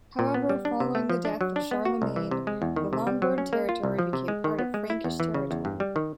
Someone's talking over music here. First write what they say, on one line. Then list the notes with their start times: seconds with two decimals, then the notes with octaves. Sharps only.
However, following the death of Charlemagne, the Lombard territory became part of Frankish territory.
0.19 A#2
0.34 B3
0.49 G3
0.65 D4
0.80 C3
0.95 A3
1.10 F3
1.25 D4
1.41 F#3
1.56 D4
1.71 B3
1.85 F#4
2.02 C2
2.16 E3
2.31 C3
2.47 G#3
2.62 E2
2.76 D#3
2.93 C3
3.07 G3
3.22 F#3
3.38 C#4
3.53 A#3
3.69 F4
3.83 C2
3.99 F3
4.13 C3
4.28 G#3
4.44 D#3
4.59 B3
4.74 G#3
4.90 E4
5.04 E2
5.20 E3
5.34 C#3
5.51 E2
5.65 G2
5.80 G3
5.96 D#3